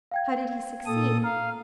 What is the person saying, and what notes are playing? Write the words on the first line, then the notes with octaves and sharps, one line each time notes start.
'How did he succeed?'
F5 G5 G#6
A#2 A4 D#6
F5 A#5